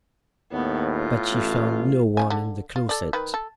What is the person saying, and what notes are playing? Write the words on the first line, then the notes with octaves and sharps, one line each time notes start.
But she found no one in the closet.
D#2 A2 B3
F4
A1
C#3 E4 G#5
D3
F4
A4 D5
D#3 B4
A4